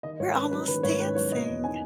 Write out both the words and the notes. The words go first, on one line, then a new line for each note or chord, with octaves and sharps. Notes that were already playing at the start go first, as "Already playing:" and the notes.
"We're almost dancing."
D#3 D#5
G#2 C#5
C#4 B4
F#3 B4
D#3 B4
G#2 C#5
C#4 B4
F#3 C#5
B2 D#5
E2
D#4 G#5